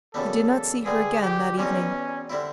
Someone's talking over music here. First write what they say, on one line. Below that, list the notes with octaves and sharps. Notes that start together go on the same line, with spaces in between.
They did not see her again that evening.
F#2 C#3 E3 G3 B3 A4
G2 D3 G3 G#4
G4
E2 B2 G3 C4 C#4 D#4
D3 G3 C4 E4